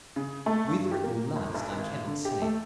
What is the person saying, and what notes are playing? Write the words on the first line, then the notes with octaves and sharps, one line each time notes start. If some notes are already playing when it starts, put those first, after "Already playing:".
"Whether it will last I cannot say."
C#3
A3
G2
G4
A#3
G1
B1
G#1
D3
G4
A3